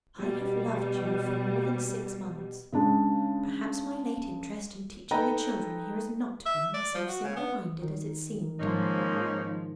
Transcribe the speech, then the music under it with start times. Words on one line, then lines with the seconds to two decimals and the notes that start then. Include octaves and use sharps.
I have loved you for more than six months! Perhaps my late interest in teaching the children here has not been so single-minded as it seemed.
0.17 B2 G3
2.73 C#3 G#3 D4
5.11 D#4 A4 B4 D#5 G5 A#5
6.46 E5
6.74 D5
6.94 F3
7.08 F#4
7.24 C#3
7.36 B3
7.82 D#3
8.59 G#2 F3 A#3 C#4 D#4